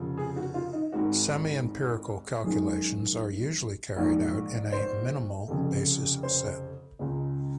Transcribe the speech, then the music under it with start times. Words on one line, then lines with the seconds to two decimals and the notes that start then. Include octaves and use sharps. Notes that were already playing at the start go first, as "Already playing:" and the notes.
Semiempirical calculations are usually carried out in a minimal basis set.
Already playing: F1 C#3 F3
0.17 G#4
0.36 F#4
0.54 F4
0.73 D#4
0.92 G#1 G#2 D#3 G#3 F#4
2.44 F#2 D#3 G#3 G#4
3.96 A#1 G#2 D#3
4.72 C5
5.48 F1 F2 C#3
6.23 C5
6.99 C#2 C#3 G#3